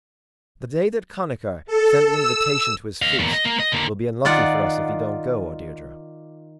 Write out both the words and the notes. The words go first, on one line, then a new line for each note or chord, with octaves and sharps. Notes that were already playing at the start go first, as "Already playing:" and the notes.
"The day that Connachar sent the invitation to his feast will be unlucky for us if we don't go, O Deirdre."
A4
E6
D#5 F5
E2 A#3
D#5
A#3
D#5
D3 A#3
D#3 F4 D5 F#5